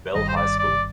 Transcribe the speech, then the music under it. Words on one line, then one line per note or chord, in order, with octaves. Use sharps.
Bell High School.
G1 G2 D#3 G3 D#5
C5
D5
D5